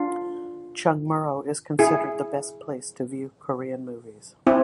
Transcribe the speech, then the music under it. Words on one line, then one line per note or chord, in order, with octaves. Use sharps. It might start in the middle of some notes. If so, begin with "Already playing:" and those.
Chungmuro is considered the best place to view Korean movies.
Already playing: D4 F4
E4 G#4
C4 E4